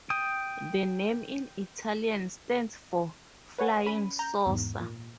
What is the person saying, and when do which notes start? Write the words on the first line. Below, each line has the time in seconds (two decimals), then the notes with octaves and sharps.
The name in Italian stands for "Flying Saucer".
0.10 G5 D#6
3.58 B4 C#5 F#5 G#5
3.86 C#4 B5 D#7
4.19 A#5 G6
4.46 E2 G#2
4.81 A#2